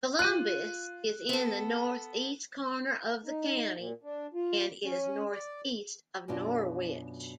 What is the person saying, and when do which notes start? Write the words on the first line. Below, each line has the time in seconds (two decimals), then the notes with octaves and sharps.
Columbus is in the northeast corner of the county and is northeast of Norwich.
0.19 F4 F#6 D#7
1.29 B3 A4
3.25 D#4
3.75 A#2
4.03 D4
4.34 F4
4.84 C#4
5.31 D5
6.28 F#2 B2 D4 F4